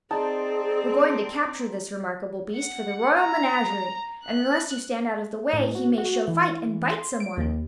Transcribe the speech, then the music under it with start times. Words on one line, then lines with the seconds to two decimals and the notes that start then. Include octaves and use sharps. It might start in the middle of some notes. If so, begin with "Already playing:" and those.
"We're going to capture this remarkable beast for the royal menagerie, and unless you stand out of the way he may show fight and bite some one."
0.11 C4 D#4 G#4 D5 A5
2.56 F#5
3.18 A#5
4.25 F#6
5.53 A2
5.75 F#4
5.98 F#4
6.28 E3
6.88 C6
7.20 D7
7.37 D#2